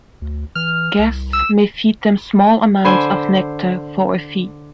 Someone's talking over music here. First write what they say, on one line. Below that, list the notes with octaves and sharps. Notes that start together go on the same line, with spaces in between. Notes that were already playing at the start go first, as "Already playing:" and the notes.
Guests may feed them small amounts of nectar for a fee.
D2
E3 F6
C2
E6
D3 C5 G#5 B5 C#6